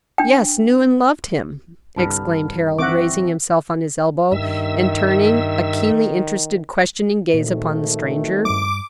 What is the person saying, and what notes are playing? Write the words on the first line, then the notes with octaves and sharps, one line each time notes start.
"Yes; knew and loved him!" exclaimed Harold, raising himself on his elbow, and turning a keenly interested, questioning gaze upon the stranger.
D4 G5
C2 G2 D3 A5 B5 F6
E3 C4 E5 F#5 C#6 D6 A#6
G2 D#3 E5 E6
G#1 A#2 D#3 A3
G2 G3 D6